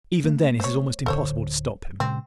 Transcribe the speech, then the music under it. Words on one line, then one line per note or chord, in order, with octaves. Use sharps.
Even then it is almost impossible to stop him.
A3 A#3
C5 C#5
D1 D3 A4 C5 C#5
A#2 C#3 G#3 C4